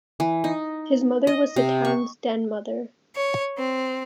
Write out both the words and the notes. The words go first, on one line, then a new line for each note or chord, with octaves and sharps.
His mother was the town's den mother.
E3
D#4
D#5
C3
C#6
C#5
C4